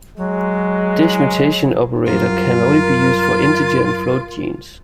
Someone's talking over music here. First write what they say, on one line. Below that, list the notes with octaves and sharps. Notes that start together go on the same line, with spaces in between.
This mutation operator can only be used for integer and float genes.
F#3 G#3
F#2 G3 F4 A#4